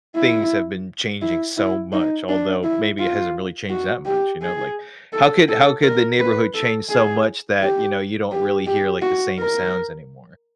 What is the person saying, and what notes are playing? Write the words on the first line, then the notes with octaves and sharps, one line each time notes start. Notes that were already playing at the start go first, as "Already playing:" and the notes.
things have been changing so much, although maybe it hasn't really changed that much, you know? Like, how could how could the neighborhood change so much that, you know, you don't really hear, like, the same sounds anymore?
E4
E4
E4
D#4
D4
E4
F4
F#4
G4
G#4
A4
A4
A#4
B4
A4
G#4
G4
G4
G4
F#4
A#4